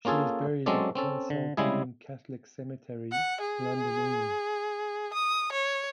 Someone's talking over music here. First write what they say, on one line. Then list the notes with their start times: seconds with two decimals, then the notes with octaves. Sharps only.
She is buried at Kensal Green Catholic Cemetery, London, England.
0.05 A#3 C#4 F4 G#4 A4
0.66 F#3 G#3 C4 C#4 A4 D5
0.95 C4 C#4 A4
1.30 D3
1.57 C#3 G3 G#3 E4 G#4
3.12 F#5
3.41 G#4
5.14 D#6
5.52 C#5